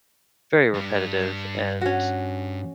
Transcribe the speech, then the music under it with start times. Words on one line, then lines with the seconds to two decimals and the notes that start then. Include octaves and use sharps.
very repetitive and,
0.74 G2 G3
1.81 C#4 F#4